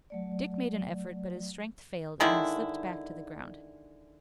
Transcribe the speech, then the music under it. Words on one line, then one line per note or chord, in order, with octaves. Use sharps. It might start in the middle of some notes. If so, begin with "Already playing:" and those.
Dick made an effort, but his strength failed and he slipped back to the ground.
F#3 A3 D5
D3 D#3 G#3 E4